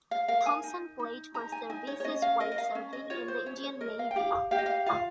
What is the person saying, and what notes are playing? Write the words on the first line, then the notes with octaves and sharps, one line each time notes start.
Thomson played for Services while serving in the Indian Navy.
F5
A#4 F5
G#5
D#4
D#4
D#4 A#5
G#5
D#4 G#5
C#5
C#5
C#4 D#5
F5
A#4 D#5
D#5
F5
C#4
D#5
F4 C#5
C5
C#4 C#5
C5
C#5
A#4 D#5
F5
G5
G4 F5
G4 F5
D#5
F5
F4 F5